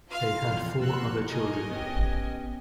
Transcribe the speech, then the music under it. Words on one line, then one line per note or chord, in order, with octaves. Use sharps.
They had four other children.
F4 F5 F6
E2 C3 F3
F3 A#3 F#4 C6 E6 F#6
A#4 D#5 G#5
B3 C#4 G4